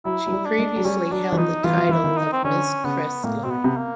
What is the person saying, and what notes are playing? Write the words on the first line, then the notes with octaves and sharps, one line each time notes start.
She previously held the title of "Miss Crestline".
F#3 E4
F#3
G3
D4
G#3
F#3
G3 C#4
F#3 D4
E3
F3 D#4
E3 F4
F3
E3 E4
D#3
D#4
C4
D3 C#4
C#3 B3
A2 A#3
B2 C4
B3
C3
A#3